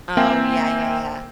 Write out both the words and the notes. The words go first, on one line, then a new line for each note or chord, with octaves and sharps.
Oh yeah, yeah, yeah.
A#3 C4 E5 G5 G#5